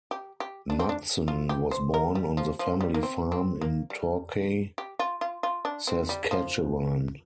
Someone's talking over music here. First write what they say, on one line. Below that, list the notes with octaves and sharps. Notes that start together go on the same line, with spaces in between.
Knutson was born on the family farm in Torquay, Saskatchewan.
G4
G4
D4
C4
D4
F4
G4
C5
A#4
G3
F3
F3
G3
A#3
C4
C4
A#3
G3
G4
F4
F4
F4
D4
C4
G3
F3